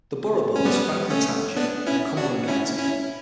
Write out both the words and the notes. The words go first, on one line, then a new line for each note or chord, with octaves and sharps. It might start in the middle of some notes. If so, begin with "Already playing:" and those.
The borough borders Franklin Township and Cumberland County.
C#4
G3 B3
A3 C#4
B3 D4
C#4 E4
D4 F#4
C#4 E4
C#4 E4